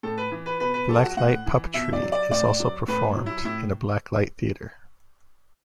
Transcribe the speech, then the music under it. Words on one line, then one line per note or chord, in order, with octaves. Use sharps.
Black light puppetry is also performed in a black light theater.
A2 A4
B4
E3
B4
B2 B4
B4
F#3 A4
F#4
A2 F#5
E3
B2 E5
D5
F#3
D5
A2 D5
F#3
A2 B4
F#3
E4
A2 E4